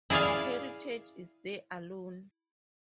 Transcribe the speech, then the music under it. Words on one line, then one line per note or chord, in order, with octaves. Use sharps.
Heritage is there alone.
E4 G#4 D5 E5 F5